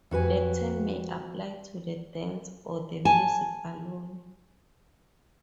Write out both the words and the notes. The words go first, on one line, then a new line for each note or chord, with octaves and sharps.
The term may apply to the dance or the music alone.
F2 F#4 B4 G#5
G#5 A5